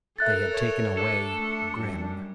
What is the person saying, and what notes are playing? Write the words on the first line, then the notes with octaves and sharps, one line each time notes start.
They had taken away Grimm.
A4 A#4 E5 F#6 A6
C#5
D4 A4
A3
F#2 G3